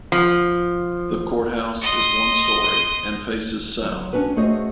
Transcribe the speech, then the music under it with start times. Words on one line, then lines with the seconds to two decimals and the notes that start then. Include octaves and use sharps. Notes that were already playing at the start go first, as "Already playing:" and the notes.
The courthouse is one story and faces south.
0.12 F3
1.81 D#5 C6
3.83 F#3
4.13 C#4 D4 F#4 B4
4.36 A3 F#4 G#4 C5 C#5 D#5